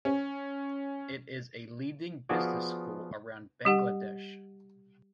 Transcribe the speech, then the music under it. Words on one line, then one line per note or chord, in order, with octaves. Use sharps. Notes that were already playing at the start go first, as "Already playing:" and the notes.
It is a leading business school around Bangladesh.
C#4
F3 B3 F4 F#4 G#4 D5
G3 G4 F#5